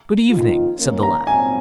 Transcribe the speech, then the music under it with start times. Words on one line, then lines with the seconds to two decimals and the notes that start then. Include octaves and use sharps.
'Good evening!' said the lad.
0.31 F2 D#3 A#3 F4
0.79 D#3 A#3 C#4
1.03 A#5
1.27 A#2 F#3 C4 G#5